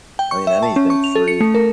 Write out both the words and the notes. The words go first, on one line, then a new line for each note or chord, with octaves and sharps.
I mean, anything free.
G5
C#6
E5
A5
C#4
C#6
F7
A4
C#7
A3
A#4